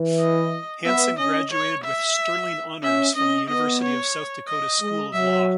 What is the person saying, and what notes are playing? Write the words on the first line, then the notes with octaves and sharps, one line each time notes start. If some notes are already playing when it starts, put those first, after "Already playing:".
Hansen graduated with "Sterling Honors" from the University of South Dakota School of Law.
Already playing: E3
D#5
B3 E5
C#4 D#5
C#5
E5
C#4 E5
C#4 D#5
B3 D#5
C#5
D#5
G#3
F#3 E5